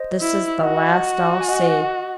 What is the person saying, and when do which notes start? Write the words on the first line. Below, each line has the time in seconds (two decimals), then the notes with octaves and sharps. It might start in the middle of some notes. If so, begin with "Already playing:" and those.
This is the last I'll see.
Already playing: C5 D#5
0.21 E4
0.63 F#4 D#5 F#5
1.41 G#5
1.48 D#5 F#5